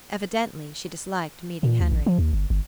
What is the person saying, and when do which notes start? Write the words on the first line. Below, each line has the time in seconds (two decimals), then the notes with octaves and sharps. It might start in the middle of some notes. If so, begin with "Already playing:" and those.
Evidently she disliked meeting Henry.
1.63 A#2
1.81 D2
1.92 A1
2.06 F3
2.18 D#2
2.33 G1
2.50 G1